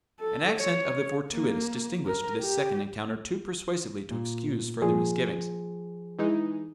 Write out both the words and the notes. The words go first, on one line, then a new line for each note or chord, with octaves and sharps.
An accent of the fortuitous distinguished this second encounter too persuasively to excuse further misgivings.
A4
C#5
A#3
A#4
G4
A#2
A#2 F3 G#4
E3 G#3 D#4